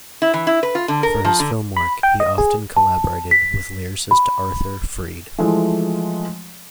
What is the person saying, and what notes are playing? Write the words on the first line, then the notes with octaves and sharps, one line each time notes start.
For his film work, he often collaborated with lyricist Arthur Freed.
E4
E3
E4
B4
F4
D3
A#4
F3
D3
B5
G5
D#5
G#4
A5
B6
B5
E3 F3 G#3 A3